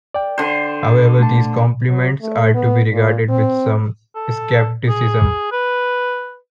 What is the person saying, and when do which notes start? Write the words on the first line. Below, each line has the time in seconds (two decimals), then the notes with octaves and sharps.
However, these compliments are to be regarded with some skepticism.
0.14 D5 G5
0.38 D3 C5
1.20 A3 A5
1.88 F#3
2.21 A3
2.54 B3
2.92 A#2
3.29 C4
4.15 A4
4.89 G#4
5.52 B4